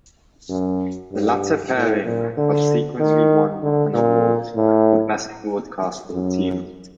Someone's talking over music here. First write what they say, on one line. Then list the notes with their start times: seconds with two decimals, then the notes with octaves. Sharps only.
The latter pairing subsequently won an award for best broadcasting team.
0.49 F#2
1.12 G2
1.75 A2
2.05 A#2
2.37 D3
3.00 D#3
3.62 D3
3.94 A#2
4.56 A2
6.13 F#2